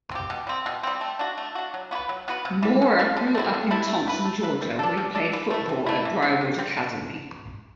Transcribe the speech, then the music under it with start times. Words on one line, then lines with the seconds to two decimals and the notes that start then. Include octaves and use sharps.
Mohr grew up in Thomson, Georgia, where he played football at Briarwood Academy.
0.11 C4 G4
0.30 B2
0.47 G3 C4
0.66 B2
0.83 G3 C4
1.01 A3
1.19 D4 F#4
1.37 A3
1.55 D4 F#4
1.74 F#3
1.91 B3 F#4
1.95 B4
2.09 F#3
2.28 B3 F#4 B4
2.45 C3
2.63 E3 G3
2.82 C3
2.99 E3 G3
3.17 D3
3.35 A3
3.38 C4 E4
3.54 D3
3.71 A3 C4 E4
3.88 A3
4.08 E4 B4
4.25 A3
4.43 E4 B4
4.61 G3
4.79 D4 A4
4.97 G3
5.15 D4 A4
5.33 E3
5.50 A3 E4
5.69 E3
5.86 A3 E4
6.05 E3
6.22 G3 C4
6.41 E3
6.58 G3 C4
6.77 D3